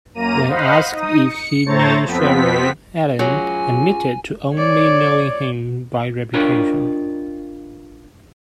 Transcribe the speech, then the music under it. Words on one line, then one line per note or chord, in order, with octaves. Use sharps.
When asked if he knew Shero, Allen admitted to only knowing him by reputation.
F#2 A#3 A#5 D#7
C5 D#5 F5 F#5 B5
D#4 D#6
C#7
A2 A3 C5 C#5 A#5 A6
F2 F3 B3 C4 B6
F#3 F4 G#4 G#5
C#5 D5
D4 D#4 F4 G4 A#4 C#5